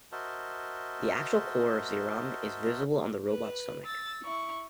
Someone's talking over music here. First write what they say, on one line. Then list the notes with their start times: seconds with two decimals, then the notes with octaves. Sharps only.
The actual core of Zeiram is visible on the robot's stomach.
0.12 F#4 A#4 C5 D#5 E5 A5
3.28 B4
3.85 E6 A6
4.24 E4 C#6